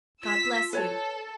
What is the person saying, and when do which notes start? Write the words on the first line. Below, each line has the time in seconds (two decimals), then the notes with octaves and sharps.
God bless you.
0.22 F4 E6 B6
0.73 A4 B4 C#5 A5